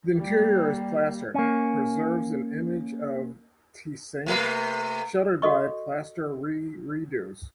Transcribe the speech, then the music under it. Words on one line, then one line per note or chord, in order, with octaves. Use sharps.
The interior is plastered; preserves an image of te saint, sheltered by a plaster reredos.
G3 A#3
A#3 C#4
C3 A3 B4
F#4 A4 D#5 C#6